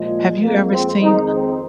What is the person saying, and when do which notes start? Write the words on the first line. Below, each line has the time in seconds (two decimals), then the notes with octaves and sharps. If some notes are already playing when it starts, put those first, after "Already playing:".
Have you ever seen?
Already playing: A#2 F3 G#3
0.40 F2 F3 G#3 A#3
0.71 C4
1.01 F2 D#3 G#3 D#4
1.31 C4